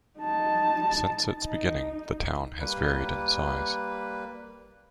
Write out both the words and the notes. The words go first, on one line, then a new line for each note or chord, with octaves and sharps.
Since its beginning, the town has varied in size.
D#4 A5
D#4
G3 A#3 B4